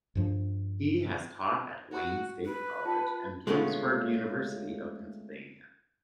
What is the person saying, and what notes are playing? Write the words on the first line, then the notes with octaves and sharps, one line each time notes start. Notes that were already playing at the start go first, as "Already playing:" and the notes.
He has taught at Wayne State College and Bloomsburg University of Pennsylvania.
G2 F3 D4
F#4
B4
F4 G5 A5
G#3 A3 B3 C#4 F4